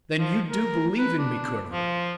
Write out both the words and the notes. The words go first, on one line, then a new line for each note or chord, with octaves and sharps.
"Then you do believe in me, Colonel?"
F3
A#4
B4
D4
F3